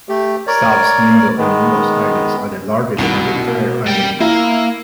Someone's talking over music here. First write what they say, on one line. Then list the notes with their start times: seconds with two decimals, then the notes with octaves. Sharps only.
South, Middle and North islands are the largest of the entire island group.
0.09 A3 G4
0.47 A#4 C#5 D5
1.37 D#3 G#3 B3
2.98 C2 B2 D#3
3.47 A#3
3.86 G3 G5
4.20 A#3 E4